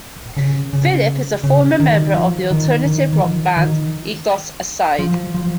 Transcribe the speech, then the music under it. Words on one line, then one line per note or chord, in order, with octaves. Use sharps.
Phillip is a former member of the alternative rock band Egos Aside.
C#3
C#3
C#3
D#3
F3
D#3
D#3
D#3
F3
D#3
F3
F3